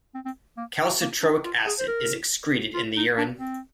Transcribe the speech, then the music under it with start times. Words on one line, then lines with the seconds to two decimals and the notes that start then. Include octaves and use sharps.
Calcitroic acid is excreted in the urine.
0.15 C4
0.25 C4
0.57 A#3
1.01 A#3
1.22 D4
1.45 F4
1.66 G#4
1.79 C5
1.87 A#4
2.74 F4
2.97 D#4
3.18 D4
3.40 C4